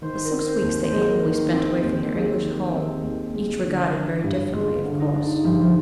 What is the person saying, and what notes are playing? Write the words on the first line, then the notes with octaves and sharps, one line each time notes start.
The six weeks they annually spent away from their English home, each regarded very differently, of course.
D#3 C5
A#4
C4
C5
D#2
C5
G#3 A#4
D#3
C4
D#2 G4
G#3
D#3
C4
D#2
G#3
D3
D4
G2
G#3 F4
D3
D#4
D4
G2 F3
F3